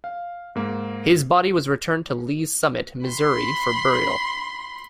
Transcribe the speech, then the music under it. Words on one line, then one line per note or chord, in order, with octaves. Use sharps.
His body was returned to Lee's Summit, Missouri for burial.
F5
G#2 A#3
B5 C6